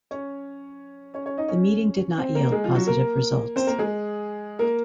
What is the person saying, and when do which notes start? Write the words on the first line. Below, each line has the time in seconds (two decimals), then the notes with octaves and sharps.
The meeting did not yield positive results.
0.11 C#4 C#5
1.14 C#4 C#5
1.26 C#4 C#5
1.38 D#4 D#5
1.48 C#4 C#5
2.18 C4 C5
2.35 A#3 A#4
2.52 G#3 G#4
2.64 F3 F4
2.75 F#3 F#4
2.87 A#3 A#4
3.56 C4 C5
3.67 A#3 A#4
3.79 G#3 G#4
4.59 A#3 A#4